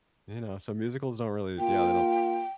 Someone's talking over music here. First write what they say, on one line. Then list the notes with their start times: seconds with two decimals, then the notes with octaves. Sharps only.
You know, so musicals don't really yeah, they don't
1.59 A#3 F4 G5